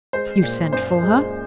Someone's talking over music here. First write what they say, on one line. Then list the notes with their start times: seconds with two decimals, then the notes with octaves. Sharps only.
"You sent for her?"
0.13 G#3 C5
0.43 A#2
0.73 F#2 C5
1.03 G#3